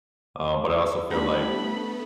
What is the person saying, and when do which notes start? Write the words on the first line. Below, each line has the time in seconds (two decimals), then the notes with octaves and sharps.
Um, but I also feel like
1.10 A1 G3 A3 B3 D4 B5